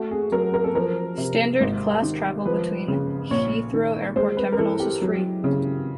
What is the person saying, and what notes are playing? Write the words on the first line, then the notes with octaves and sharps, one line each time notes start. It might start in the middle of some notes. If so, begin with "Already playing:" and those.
Standard-class travel between Heathrow Airport terminals is free.
Already playing: A3 F#4
G#4
F#3 A#4
A#4
A4
F3 A#4
C3
G#1
D#3
F3 B4
C#3
A#1 C#5
D#3
G#3 C5
B4
A#4
E3 A4
G4
F#3
C#3